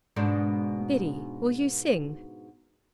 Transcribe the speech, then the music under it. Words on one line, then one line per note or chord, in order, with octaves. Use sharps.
'Biddy, will you sing.
G#2 B2 D4